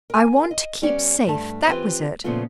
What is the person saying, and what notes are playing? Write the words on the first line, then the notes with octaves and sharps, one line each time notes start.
'I want to keep safe.' That was it.
A#4 G#5
D#5
G3 B3 C#4 D5
G2 A3 A5
E3 C4 F4 G4 B4
A#2 C#3 F3 A3 B3 F4